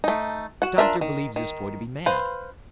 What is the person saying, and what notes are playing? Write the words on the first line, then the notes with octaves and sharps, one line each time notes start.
A doctor believes this boy to be mad.
A3 D#4
F#4 F#5
D4 F4 A#4 E5
D#3
D#3
B4 C5 F5